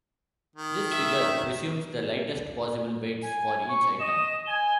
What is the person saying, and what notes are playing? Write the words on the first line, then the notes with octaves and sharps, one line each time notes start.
This figure presumes the lightest possible weights for each item.
D#3
E5
G#5
C#6
D#5 E7
G#5 G7